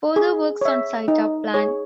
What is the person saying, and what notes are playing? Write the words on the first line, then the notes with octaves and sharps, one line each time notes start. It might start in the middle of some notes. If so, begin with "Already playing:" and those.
Further works on site are planned.
G#4
C#5 E5
D#4
G#4 C#5